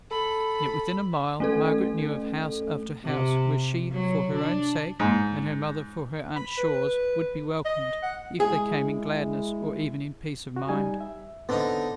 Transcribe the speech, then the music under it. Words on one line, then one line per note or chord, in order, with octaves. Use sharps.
Yet within a mile, Margaret knew of house after house, where she for her own sake, and her mother for her aunt Shaw's, would be welcomed, if they came in gladness, or even in peace of mind.
A4 B5
A3 C#4 A4
C3
F#3
D4
G#2
B5
B4
D#5
F#5
G#3 E4 G#4
F#4
G3 D#4 G#5
E5
D3 B3 C4 D#4